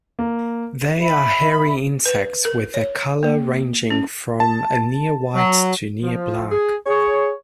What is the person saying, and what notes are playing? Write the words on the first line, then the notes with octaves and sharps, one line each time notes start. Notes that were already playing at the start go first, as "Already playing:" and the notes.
They are hairy insects with their colour ranging from a near-white to near-black.
A#3
E5 B5
B4
A#4
C#5
A#3
C#4
A5
F#3
F3
G#4
G#4 C#5